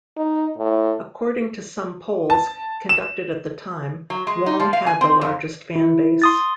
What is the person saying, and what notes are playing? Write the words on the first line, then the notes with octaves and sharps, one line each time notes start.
According to some polls conducted at the time, Wong had the largest fanbase.
D#4
A2
A5
E7
F#3
G#3
D#4
F3
F5
G#5
C4
F2
E4
C6 D#6 A6